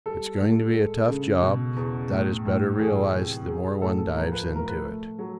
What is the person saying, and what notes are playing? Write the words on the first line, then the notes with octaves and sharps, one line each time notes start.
It's going to be a tough job; that is better realised the more one dives into it.
G3 A4
A2
G#3
C#3
B2
E2
A2
A2
E3 G#4
C3
F#3 G#4
G#4
A2 A4
A4
F3 A#4
B4
A3 A#4
B4
A3
F#3